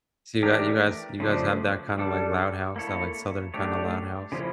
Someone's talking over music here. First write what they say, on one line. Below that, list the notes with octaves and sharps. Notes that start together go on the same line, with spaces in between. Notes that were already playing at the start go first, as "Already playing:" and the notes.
So, you guy you guys you guys have that kinda, like, loud house, that, like, southern kinda loud house?
E3 A3 D4 G4 A#4
C#3 F3 A3 D4
G3 D4 A4
A#3 E4 A4 C#5
A3 D4 G4 C#5
C#3 F3 C#4 E4